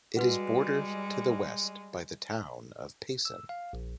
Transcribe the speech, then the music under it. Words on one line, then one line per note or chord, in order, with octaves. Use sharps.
It is bordered to the west by the town of Payson.
G3 G#3 F#4 B4 F#5
E6
F5
A#1